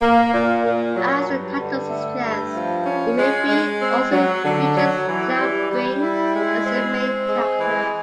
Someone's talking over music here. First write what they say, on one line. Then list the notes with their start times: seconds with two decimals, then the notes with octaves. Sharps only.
As the title suggests, the movie also features Xiaoqing as the main character.
0.01 A#3
0.32 A#2
0.64 A#2
0.95 F#3
1.27 G2
1.58 D3
1.90 A3
2.22 G2
2.54 F3
2.85 C#4
3.17 G#3
3.48 G#3
3.80 C4
4.12 F#3
4.44 D3
4.76 F#3
5.06 E3
5.38 G3
5.70 G3
6.01 E4
6.33 G#3
6.64 C4
6.96 C4
7.28 G#3
7.59 E3